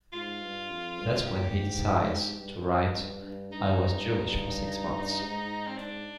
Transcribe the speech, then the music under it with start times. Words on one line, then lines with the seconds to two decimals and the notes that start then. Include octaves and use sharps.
That's when he decides to write, "I Was Jewish for Six Months".
0.13 G#2 F4
0.41 G2
0.70 F2
0.98 G2
1.26 A#2 G4
1.54 G#2
2.38 G2
2.95 G2
3.24 G2
3.52 G2 D#4
5.21 G#2
5.67 C4
5.77 G#2 D4